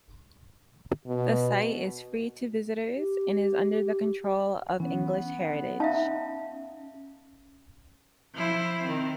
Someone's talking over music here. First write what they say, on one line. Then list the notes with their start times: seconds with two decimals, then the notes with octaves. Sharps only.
The site is free to visitors and is under the control of English Heritage.
1.07 B2
2.97 G4
4.80 E3 B3 C#4
5.80 D#4 E5 F5 A5
8.34 F3 E4 C5
8.83 D#3 C4